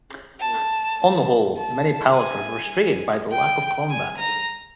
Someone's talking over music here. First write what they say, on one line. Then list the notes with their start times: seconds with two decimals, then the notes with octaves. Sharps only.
On the whole, many pilots were frustrated by the lack of combat.
0.40 A5
1.57 A5
2.15 G#5
3.31 G5
3.90 G#5
4.18 A#5